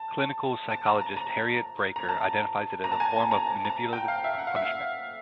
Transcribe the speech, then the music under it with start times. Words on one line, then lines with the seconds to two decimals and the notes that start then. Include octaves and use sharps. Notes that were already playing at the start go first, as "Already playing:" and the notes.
Clinical psychologist Harriet Braiker identifies it as a form of manipulative punishment.
Already playing: A5
0.71 A5
0.86 A#5
1.01 A5
1.16 A#5
1.96 A#5
2.09 A5
2.84 A#5
2.92 A5
3.00 G#5
3.16 A5
3.31 A#5
3.47 A5
3.65 A#5
3.70 A5
3.93 G5
4.08 F5
4.24 E5
4.38 F#5
4.47 F5
4.56 E5
4.65 F5